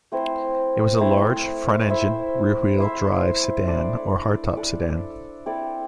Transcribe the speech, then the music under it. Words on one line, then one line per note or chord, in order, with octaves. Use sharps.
It was a large front-engine rear-wheel drive sedan or hardtop sedan.
A3 C4 E4 C5
A3 C4 E4 C5
E4 C5 E5
E4 C5 E5
D4 A4 D5
D4 A4 D5
C4 E4 A4 D5